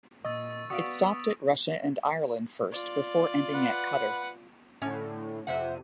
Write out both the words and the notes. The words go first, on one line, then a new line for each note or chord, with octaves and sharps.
It stopped at Russia and Ireland first before ending at Qatar.
A#2 D#5 C#6 E6 A6
B3 F#4 D5 F5 C#6 D#6 B6 D7
F4 D5
B4 F#5
A2 D3 C#4
F2 C3 C5 E5 F#5 D#7